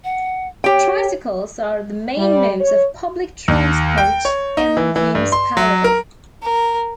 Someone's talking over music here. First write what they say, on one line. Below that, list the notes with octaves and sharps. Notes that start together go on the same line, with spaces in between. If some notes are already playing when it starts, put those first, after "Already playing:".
Tricycles are the main modes of public transport in the municipality.
F#5
G4 C#5 G5
G3
C#5
D#2
G5
C#5
D#4
E3
E3
G2
C6
F#3
A#4
A#4